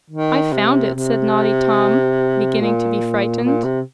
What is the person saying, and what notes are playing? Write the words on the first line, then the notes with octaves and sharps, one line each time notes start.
"I found it," said naughty Tom, beginning to be frightened.
D#3
C3
C3
A#2
A#2
C3